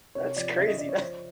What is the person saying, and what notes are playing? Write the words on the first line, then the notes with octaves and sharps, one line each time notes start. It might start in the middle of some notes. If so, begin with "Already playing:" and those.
that's crazy. That
C3 C#5
F3 D5
C#3 E5
D#5
C#3 D5
C#5
F3 C5